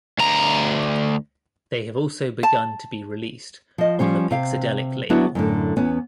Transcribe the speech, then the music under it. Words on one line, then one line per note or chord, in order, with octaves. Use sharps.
They have also begun to be released on the Pixadelic label.
D2 A#5
A5
F3 D#5
F3 G3 C#4 C5
C3 F5
F#3 B3 D4 E4 F#4 B4
F#2 A2 D3
E2 B3 C#4